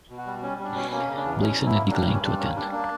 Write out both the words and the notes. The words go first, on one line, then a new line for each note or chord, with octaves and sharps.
Blake Sennett declined to attend.
B2
F#4
G3
G3 C#4
G3 D4
B2 C#4
A#3 C#4
C#3
D4
E2
B2 C#4
F#3
E4
A#3
G3 D4
G2 C#4
G3 D4
A#3 C#4
G3 D4
A#3 D4